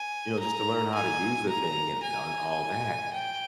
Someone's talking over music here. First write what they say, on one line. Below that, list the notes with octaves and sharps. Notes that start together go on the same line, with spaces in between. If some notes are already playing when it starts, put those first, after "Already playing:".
you know, just to learn how to use the thing and and all that.
Already playing: G#5
A#5
G#5
A#5
G#5
G5